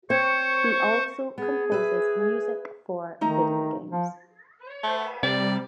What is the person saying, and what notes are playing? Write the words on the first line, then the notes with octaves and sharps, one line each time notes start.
He also composes music for videogames.
C4 C5 C#5 C#6
B3 G#4
B4 E5
D#3 A3 D#4 A#5
F3
A3
C3 G3 D5